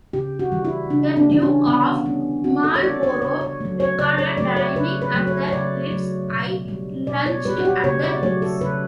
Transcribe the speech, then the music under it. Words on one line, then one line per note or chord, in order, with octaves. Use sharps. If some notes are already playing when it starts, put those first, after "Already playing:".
The Duke of Marlborough recorded dining at the Ritz; I lunched at the Ritz.
C#3 G4
F#4
E3 G3
E4
C#3 D4
D4
E3 G3 D4
C#4
D3 B3
G3 C#4
D3 F#4
A4
C#5
G3 D5
C#5
C#3 C#5
C#5
F#3 A3
C#5
C#3 D5
C#5
F#3 A3 D5
C#5
C#3 B4
B4
F#3 A3
C#5
C#5
C#3 D5
F#3 A3
B2
G3
B2 D5
C#5
G3 B4
F#4
G4
C#3 C#5
D5
F#3 A3 C#5
A4
C#3 B4